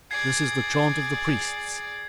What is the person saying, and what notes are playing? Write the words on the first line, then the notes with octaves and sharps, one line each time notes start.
This is the chaunt of the Priests.
G#4 D5 G#6 C7